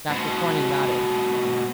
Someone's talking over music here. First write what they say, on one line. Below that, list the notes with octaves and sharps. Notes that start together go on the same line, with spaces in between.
Dr Corney nodded.
G#2 B2